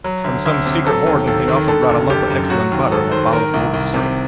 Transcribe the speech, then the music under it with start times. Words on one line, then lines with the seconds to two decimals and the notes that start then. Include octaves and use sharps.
From some secret hoarding he also brought a lump of excellent butter and a bottle of golden syrup.
0.04 F#3
0.24 D2
0.46 D2
0.66 C3
0.86 F#3 A4
1.06 D#2
1.27 D#2 A4
1.48 D#3
1.68 D3 A4
1.89 F#1
2.10 F#1 G4
2.30 F#2
2.50 F#3 F#4
2.72 D#2
2.91 D#2 A4
3.12 D#3 C5
3.32 D#3 A#4
3.54 C2
3.74 C2
3.94 C3